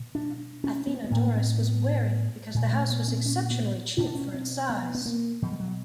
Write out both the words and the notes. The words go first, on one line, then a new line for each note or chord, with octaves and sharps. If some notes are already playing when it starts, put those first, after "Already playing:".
Athenodorus was wary because the house was exceptionally cheap for its size.
Already playing: B2
D4
C#4
B3
B3
A2 A#3
B3
C4
B3
A#2
A3
B3
C4
C#4
B3
B2 C#4
D4
C#4
C4
B3
B3
A#3
B2 F3
G3
F#3